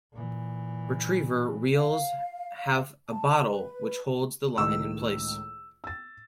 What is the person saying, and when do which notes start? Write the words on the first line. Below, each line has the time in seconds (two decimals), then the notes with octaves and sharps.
Retriever reels have a "bottle" which holds the line in place.
0.12 A#2 E3
1.74 F5
3.09 A5
3.50 B4
4.58 C#2 A2 D#3 E6
5.84 E6 A6